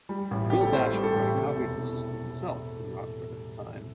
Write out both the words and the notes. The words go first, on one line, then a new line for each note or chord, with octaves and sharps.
Bill Basham ran a copy of the system himself in Rockford at the time.
G3
A1
C4 G4
A4
A2 C5
G3
A4
A1
C3
E1
E1